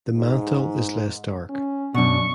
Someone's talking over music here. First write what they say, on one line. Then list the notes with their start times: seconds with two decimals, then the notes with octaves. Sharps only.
The mantle is less dark.
0.16 G#2
1.49 C#4
1.94 F#2 B2 D4 C#6